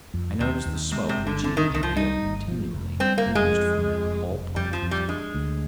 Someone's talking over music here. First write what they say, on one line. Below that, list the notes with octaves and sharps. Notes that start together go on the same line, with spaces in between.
I noticed the smoke, which he inhaled continually, oozed from all parts of his body.
F2
D#2 C3
D#2
C3 G#3
C3
G1
D3
D3 C4
D#3
C2 D#3
F3
G3 D#4
G1
F3
F1
G3 C4
A#3
F1
G#3
F2
F2
F1
F1
F2 G3
F3
F2
G3
G#3 D4
D2